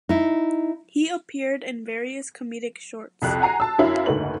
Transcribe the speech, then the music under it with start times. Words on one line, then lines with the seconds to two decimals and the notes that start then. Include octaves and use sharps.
He appeared in various comedic shorts.
0.09 D#4 E4
3.22 C2 F2 F#6
3.41 F#5 G#5 A#5 C7
3.60 A5 E6
3.78 F#2 E4 F5 E6
4.06 F#1 D2 G#2 A3 B4 F#7